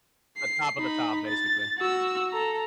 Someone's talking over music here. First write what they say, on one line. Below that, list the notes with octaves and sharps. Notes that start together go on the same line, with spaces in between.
The top of the top, basically.
C7
D#4 B5
A6
F#4 E6
A4 A#5